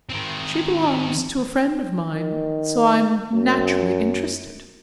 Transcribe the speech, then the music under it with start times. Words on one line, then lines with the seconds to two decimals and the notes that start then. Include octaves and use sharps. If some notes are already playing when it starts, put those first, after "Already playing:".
"She belongs to a friend of mine, so I am naturally interested."
0.09 D#3 C4
2.14 D#3
3.34 F#2